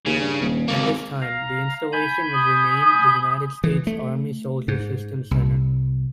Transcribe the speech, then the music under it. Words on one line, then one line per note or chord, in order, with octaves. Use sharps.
At this time the installation was renamed the United States Army Soldier Systems Center.
D#2 C#3
G2
D#1
G#1 C#2 A#3
F5 A#5
G#5 B5 G6
D#6
E3
A3
G#2
C2